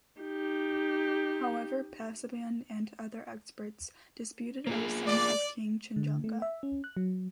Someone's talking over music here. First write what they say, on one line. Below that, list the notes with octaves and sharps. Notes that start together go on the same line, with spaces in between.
However, Pasaban and other experts disputed Oh's summit of Kangchenjunga.
D#4 G4
A#3 F4 G#4
D5
D3
A3
E5
C#4
F#6
F#3